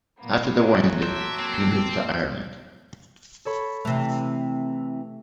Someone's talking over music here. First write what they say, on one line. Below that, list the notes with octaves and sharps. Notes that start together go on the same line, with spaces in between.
After the war ended, he moved to Ireland.
A#2 A#3 B3
F#3 G4 G#4 A#4
E5 A5 C6 D6 E6 G6
A#3 C4
A4 C#5 B5
C3 E3 A3